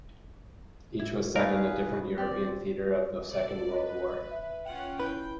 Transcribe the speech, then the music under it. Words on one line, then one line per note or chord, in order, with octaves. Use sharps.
Each was set in a different European theatre of the Second World War.
E4
A3 D#4 G#4 A#4 B4 F5
C4 G4 D5
A4 D5
B4 D#5
E5
C#4 F4 F#5 G5
E4 B4 G5